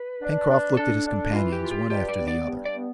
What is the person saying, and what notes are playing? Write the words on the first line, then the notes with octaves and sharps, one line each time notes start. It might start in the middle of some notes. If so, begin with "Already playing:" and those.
Pencroft looked at his companions one after the other.
Already playing: B4
D4
D4
D4 A4
D4
E3 F4
G4
F4
G4
G2 G4
D5
B3
D5
G2
D5
B3